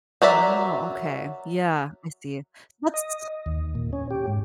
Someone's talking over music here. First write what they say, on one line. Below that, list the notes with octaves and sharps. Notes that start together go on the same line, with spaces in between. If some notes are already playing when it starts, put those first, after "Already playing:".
Oh okay, yeah, I see it. Let's
F#3 A#4 D5 E5
D#5
D#2
A#2
C#4
G4
G#2